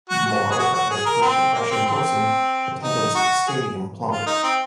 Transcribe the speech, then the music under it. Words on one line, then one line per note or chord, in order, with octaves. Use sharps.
Moreover, as the Great Depression worsened, attendance at the stadium plummeted.
F#4
F#4
G#4
F#4
F#4
G#4
A#4
C4
A#3
C4
C4
D#4
F#4
G#4
F4
D#4
C4